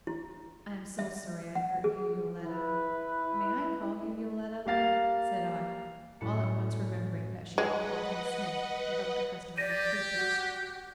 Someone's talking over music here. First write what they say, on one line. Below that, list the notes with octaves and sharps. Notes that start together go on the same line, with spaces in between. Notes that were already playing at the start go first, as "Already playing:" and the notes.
"I am so sorry I hurt you, Yoletta--may I call you Yoletta?" said I, all at once remembering that she had called me Smith, without the customary prefix.
E4
E5
F#5
G#4
E4 B4
G3 A#3 F5 A6
F#2 A2 C#4 A5 B5 C#7
G#3 B4 D#5 F#5
G4 D5 A#6 D#7
F#4